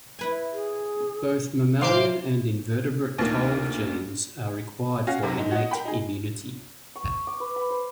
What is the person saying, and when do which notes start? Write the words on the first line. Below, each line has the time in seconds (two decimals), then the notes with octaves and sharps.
Both mammalian and invertebrate toll genes are required for innate immunity.
0.19 E4 B4 G#5
0.53 G#4
1.81 A2 C3 C5 E5 F5 C6 D6
3.18 D2 A#2 D#3
5.07 C#4 F#4 F5 A#6
5.23 B1 F#2 C3
5.38 G#2 D#4
5.52 F#4 D#5
5.71 A#4 G5 B5
5.85 D#4 G#4
6.96 C#6
7.27 D6
7.40 B4
7.56 B5
7.70 C5